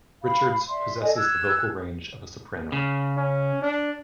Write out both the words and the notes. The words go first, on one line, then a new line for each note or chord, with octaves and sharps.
Richards possesses the vocal range of a soprano.
F5 B5
D5 E5 C6
A4 D5 D#5 G#5
E6 F#6 G#6
C#3
C#4
D4